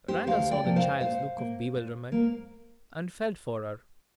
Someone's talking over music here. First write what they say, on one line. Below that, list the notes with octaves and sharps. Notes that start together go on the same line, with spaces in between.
Randal saw the child's look of bewilderment, and felt for her.
G4 C5
D2 C5 F5
D5 G5
C3 F3 A#3
C5 F5
A#2 C5 F5
A#3
A#2
A#3